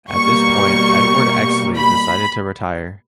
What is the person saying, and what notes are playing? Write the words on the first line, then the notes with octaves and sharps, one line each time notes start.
At this point Edward Exley decided to retire.
B2 G3 A#3 C#6
B5